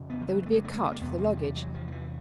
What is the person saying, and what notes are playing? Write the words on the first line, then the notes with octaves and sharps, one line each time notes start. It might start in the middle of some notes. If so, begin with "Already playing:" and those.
There would be a cart for the luggage.
Already playing: F2 C#3
B3
F3
F#3
A3
G#3
A3
G#3
A3
A#3
E2 C3 B3
A#3
F#3
G3
F#3
F3
F3
E3